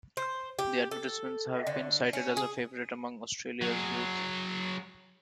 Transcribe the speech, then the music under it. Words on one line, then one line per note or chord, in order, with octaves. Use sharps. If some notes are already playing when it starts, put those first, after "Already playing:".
The advertisements have been cited as a favourite among Australia's youth.
C5
G4
A4
D3
C#4
G#4
F#3 G#4